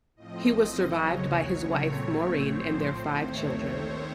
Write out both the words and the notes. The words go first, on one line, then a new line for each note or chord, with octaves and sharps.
He was survived by his wife, Maureen, and their five children.
A2 F3 C4 D#5
D#2 C#3 F#3 C#5
A#2 A3 C4 C#5
A2 F3 C4 C5
D#2 D#3 A3 C4 C#5
C5